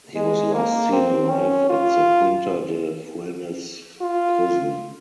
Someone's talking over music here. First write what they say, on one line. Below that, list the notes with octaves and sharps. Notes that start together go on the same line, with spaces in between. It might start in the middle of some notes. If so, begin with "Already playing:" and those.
He was last seem alive at the Quinta de Funes prison.
G#3
A#3
C4
C#4
F4
F4